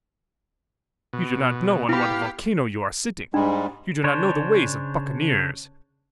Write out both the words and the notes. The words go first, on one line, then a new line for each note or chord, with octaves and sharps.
You do not know on what a volcano you are sitting. You do not know the ways of buccaneers.
B2
B3 E4 G4 F5 B5
G#2 G3 G#3 D4
C#3 D4 C5 C#5